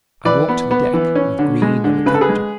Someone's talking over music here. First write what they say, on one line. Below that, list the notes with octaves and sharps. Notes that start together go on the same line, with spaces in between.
I walked the deck with Green and the captain.
E3 B4 D5
B3
B3
E3
C#4
D3
G#3
D3
C#3 B4
A4
G#4 B4
G#3